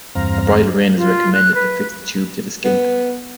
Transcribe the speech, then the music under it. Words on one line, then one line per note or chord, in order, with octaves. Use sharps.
A bridle rein is recommended to fix the tube to the skin.
E2 G2 C4 F5 A#5
F4
F#6
B4
B3